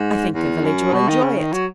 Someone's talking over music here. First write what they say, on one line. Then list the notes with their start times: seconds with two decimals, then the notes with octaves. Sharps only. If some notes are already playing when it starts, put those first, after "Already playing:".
"I think the village will enjoy it."
Already playing: G#2
0.34 E2
0.64 F#2
0.94 B2
1.09 D#3
1.23 C#3
1.38 D#3
1.53 F#3